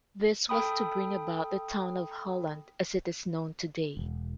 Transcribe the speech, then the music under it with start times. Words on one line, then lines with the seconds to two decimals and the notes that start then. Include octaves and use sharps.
This was to bring about the town of Holland as it is known today.
0.49 A4 G5 B5 D#6
3.97 E1